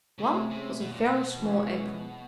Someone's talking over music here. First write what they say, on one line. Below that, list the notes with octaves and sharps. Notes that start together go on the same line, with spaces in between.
One was a very small apron.
C#3
C3 A3 C#4 E4 G#4
C3
B2
A#2
B2
E3 G#3 C#4